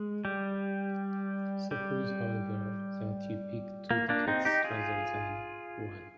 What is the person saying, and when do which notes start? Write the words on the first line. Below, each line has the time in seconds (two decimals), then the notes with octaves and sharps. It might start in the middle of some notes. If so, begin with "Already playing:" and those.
Suppose, however, that you pick "two" tickets rather than "one".
Already playing: G#3
0.25 G3
1.71 G3
3.91 A#3
4.09 A#3 D4
4.28 C4 D#4
4.45 D#4 G4
4.64 F4 G#4